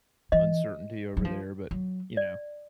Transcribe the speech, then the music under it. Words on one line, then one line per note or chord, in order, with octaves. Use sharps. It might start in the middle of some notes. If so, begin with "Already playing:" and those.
uncertainty over there, but, you know,
E3 D#5
F#3
F3
F#3
D5